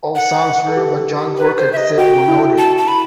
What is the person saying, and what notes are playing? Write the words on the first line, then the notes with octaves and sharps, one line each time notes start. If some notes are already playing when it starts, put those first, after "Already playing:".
All songs written by John Gorka except where noted.
F#5
A4
G4
B4
C5
E5
D#5
F#4 G5
E4
A5
A5
B5